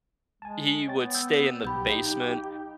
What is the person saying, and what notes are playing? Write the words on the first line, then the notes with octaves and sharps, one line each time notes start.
he would stay in the basement
G#3 G#5 A5
B3 C#5 G5 A6
E6 G6
B1 G4 B5 G6
D#4 D#5 F5